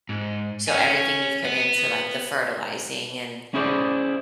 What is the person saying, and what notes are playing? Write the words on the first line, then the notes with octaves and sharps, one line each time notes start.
So, everything you've put into, like, the fertilizing and,
G#2
C#5 G#5
B3
C#4 E4 G#4 C5 D5